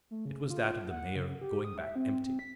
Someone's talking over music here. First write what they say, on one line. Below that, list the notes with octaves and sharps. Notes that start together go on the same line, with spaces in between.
It was that of the mayor, going back empty.
A3
C#3
F4
F#5
C#3
G4
D#6
E5
C4
C4
B6